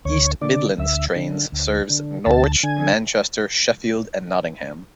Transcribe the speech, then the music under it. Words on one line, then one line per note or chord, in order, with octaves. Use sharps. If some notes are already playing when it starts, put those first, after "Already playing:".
East Midlands Trains serves Norwich, Manchester, Sheffield and Nottingham.
D2 C#5
D3 D5
D2 E5
D3
D2
D3
D2 A5
D3 G#5